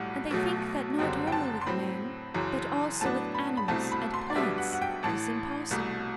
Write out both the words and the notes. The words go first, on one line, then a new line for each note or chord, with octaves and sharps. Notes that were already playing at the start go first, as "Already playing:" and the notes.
And they think that not only with man, but also with animals and plants, it is impossible.
Already playing: B1 A2 G3 F#5
B1 B2 F#3 A3
F#1 F#2 D3 G3 C4 G5
G5
A5
C6
A2 F#3 C4 B5
F#1 F#2 E3
A2 F#3 B3 D4 A5
B5
B5
C2 B2 A3 C4 E4 A5
B5
C6
D5
B1 B2 G3 B3 D4 E5
F#5
F#5
G5
A1 A2 E3 A5
C2 B2 A3